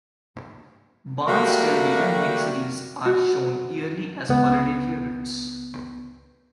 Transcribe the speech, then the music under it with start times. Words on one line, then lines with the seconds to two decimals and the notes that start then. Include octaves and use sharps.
Barnes television miniseries are shown yearly as holiday favourites.
1.27 F#3 G3 A3 A#3 F#4 G4
3.05 F#4
4.29 C#2 B3